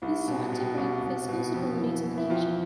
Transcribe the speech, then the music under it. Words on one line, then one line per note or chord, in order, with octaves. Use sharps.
He sought to bring fiscal stability to the nation.
C2 E4
B2
B2
C2
C2
B2
F2
E3
E3
E4
F2 F4